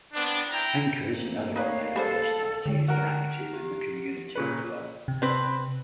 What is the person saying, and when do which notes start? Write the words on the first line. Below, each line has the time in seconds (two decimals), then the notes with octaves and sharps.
Anchors and other on-air personalities are active in the community as well.
0.13 B3 C4 D4
0.51 E4 G5 A#5
1.14 A3 A#3 C4
1.56 D#4 B4 C#5 D5 F5
1.96 G3 G#3 A4 C5
2.66 D3 G#3
2.88 F#4 A#4
3.53 G4
4.35 A#2 C#3 B4
5.08 C3
5.22 C4 B4